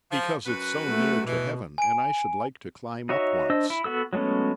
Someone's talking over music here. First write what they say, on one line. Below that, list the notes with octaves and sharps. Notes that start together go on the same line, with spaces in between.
"Because it's so near to heaven, and I should like to climb up once."
F3
F#2 F#4 B4
A3
B2 E3
G#5 D7
D#4 F#4 C#5 E5
D4 C5 D#5 E6
E4
B3 F#4 A4 E6
F#3 G#3 A3 B3 C#4